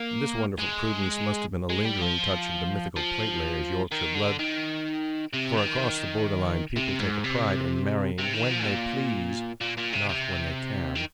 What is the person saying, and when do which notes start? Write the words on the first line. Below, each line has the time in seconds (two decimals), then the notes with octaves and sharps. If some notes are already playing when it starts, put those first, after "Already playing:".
This wonderful prudence must have been a lingering touch of the mythical plate-layer's Yorkshire blood; for across the Borderline people take a pride in marrying when they please--not when they can.
Already playing: A#3
0.59 G#3
1.70 G#3
1.85 G3
2.02 F3
2.96 F3
3.91 D#3
4.15 D3
4.39 D#3
5.34 C3
5.57 D#3
6.76 C3
7.00 G#2
7.24 C3
8.19 C3
8.34 D#3
8.51 F3
8.67 A#2
9.61 A#2
9.77 A#2
9.93 C3
10.09 C3
10.95 D#3